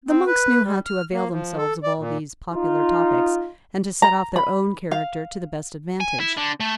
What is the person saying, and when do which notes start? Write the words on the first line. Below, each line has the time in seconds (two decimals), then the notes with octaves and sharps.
The monks knew how to avail themselves of all these popular topics, and to set off their own character to the best advantage.
0.09 C4
0.27 B4
0.64 G3
0.86 F6
1.13 A#3
1.31 F3
1.58 A4
1.83 D5
1.99 A#2
2.52 D#4 F4
4.02 A#5
4.36 B5
4.91 F5
6.01 G#5
6.20 E4
6.37 D3
6.60 A3